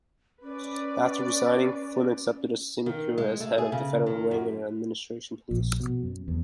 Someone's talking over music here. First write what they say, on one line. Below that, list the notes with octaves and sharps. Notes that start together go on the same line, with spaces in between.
After resigning, Flynn accepted a sinecure as head of the Federal Railway Administration Police.
C#4 B4 D5
D#3
G#3
A3
G#4
C#3
D#3
F#2
A#1
B2
F#2
E2